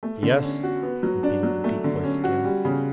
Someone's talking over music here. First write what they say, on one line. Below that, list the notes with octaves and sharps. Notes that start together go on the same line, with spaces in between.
"Yes," repeated the deep voice again.
A3
D3
C#4
F#4
B3
F#3
D4
F#3
A3
D3
C#4
F#4
G3
C#3